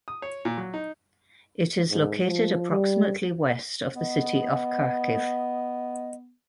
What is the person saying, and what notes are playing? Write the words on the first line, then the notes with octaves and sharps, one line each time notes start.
It is located approximately west of the city of Kharkiv.
D#6
C#5
A#2
F#3
D#4
G#2
F3
G3
B3 D#5